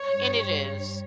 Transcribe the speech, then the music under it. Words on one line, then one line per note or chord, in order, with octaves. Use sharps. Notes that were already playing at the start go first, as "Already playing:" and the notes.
and it is,
Already playing: C#5
G2 G3